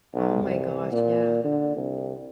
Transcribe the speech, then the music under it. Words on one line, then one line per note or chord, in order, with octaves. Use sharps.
Oh my gosh, yeah.
B1
C2
A#2
D3
C2